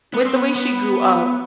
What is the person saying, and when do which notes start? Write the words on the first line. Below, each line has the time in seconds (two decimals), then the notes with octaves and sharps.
with the way she grew up,
0.14 B3
0.25 C4
0.34 B3
0.55 B3